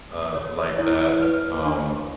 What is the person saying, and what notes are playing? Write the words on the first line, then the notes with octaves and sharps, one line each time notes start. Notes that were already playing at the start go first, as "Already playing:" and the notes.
uh, like that. Um,
C#5
E4 C#5
B4
D4